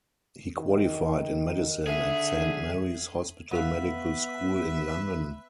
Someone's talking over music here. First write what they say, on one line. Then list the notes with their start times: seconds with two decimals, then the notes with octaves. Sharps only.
He qualified in medicine at Saint Mary's Hospital Medical School in London.
0.59 D#3
1.87 D3 G#4 E5
3.51 B3 B4 E5 F5